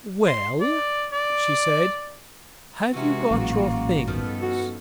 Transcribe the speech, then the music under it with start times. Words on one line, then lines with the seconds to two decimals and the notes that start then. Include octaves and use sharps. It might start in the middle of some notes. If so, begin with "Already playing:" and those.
"Well," she said, "have you got your things?"
0.28 C6
0.61 D5
1.12 D5
2.94 C3 E3 G#3 C#4 F4 F#4
3.31 A1 A#2 F#3 A#3
4.07 G2 D#3 F3 B3 A4
4.42 F#4